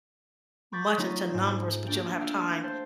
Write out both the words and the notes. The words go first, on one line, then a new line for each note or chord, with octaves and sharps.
much into numbers but you don't have time
B5 C#6 D6 G6 A6 B6
F#3 A3 B3 D#4 F4
G#2 A3 C5
A3 A#3 D4 G5
F5 G5 E6
C5 A5 G6